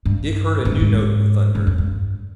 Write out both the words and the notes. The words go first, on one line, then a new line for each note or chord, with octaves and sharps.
Dick heard a new note in the thunder.
G2
G2
G#2
G2
F2
G2